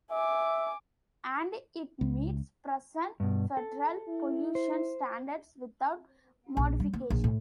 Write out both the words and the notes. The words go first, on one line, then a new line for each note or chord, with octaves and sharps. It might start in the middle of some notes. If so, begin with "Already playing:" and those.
And it meets present federal pollution standards without modification.
E5 G#5 D6
C#2
G2 B2
A4
E4
C5
A#1
G3
A#3
A#1
A2